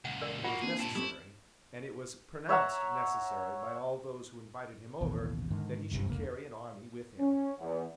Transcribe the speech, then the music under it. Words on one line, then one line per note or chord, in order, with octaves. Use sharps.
It was necessary, and it was pronounced necessary by all those who invited him over, that he should carry an army with him.
C#2 A#2 F#5
A#4 D5
F#3 A#3 F4 F#4 F#5
A#3 C4 D4 G#4
A#2 E4 A5
G3 A3 C4 E4 D#6
C#5 E5 F#5 A#5
A1 D#2 B2
G#2 D3 D#3
F#1 C2 G2 C3
F1 C#2 D3 A#3
C#4
E2